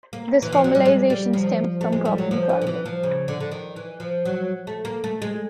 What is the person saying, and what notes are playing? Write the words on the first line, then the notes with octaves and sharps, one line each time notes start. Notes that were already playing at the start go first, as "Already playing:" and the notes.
This formalization stems from problem solving.
A#3
E3
F3
F#3
G3
G#3
G3
F3
A3
G#3
G3
F#3
F3
E3
F3
E3
F3
C#3
D3
D3
D#3
E3
F3
F#3
A3
A#3
A3
G#3